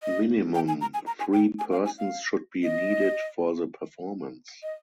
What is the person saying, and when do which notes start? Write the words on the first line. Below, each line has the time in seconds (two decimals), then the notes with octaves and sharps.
Minimum three persons should be needed for the performance.
0.03 D#5
0.55 G5
0.68 G#5
0.81 A#5
0.94 G#5
1.07 A#5
1.20 G#5
1.33 G5
1.59 G#5
1.72 F5
1.85 G#5
1.99 F5
2.64 D#5
4.63 D#5